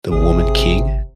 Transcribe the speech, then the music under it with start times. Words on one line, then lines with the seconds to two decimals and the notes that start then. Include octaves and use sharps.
The Woman King?
0.11 G#1 C3 G#4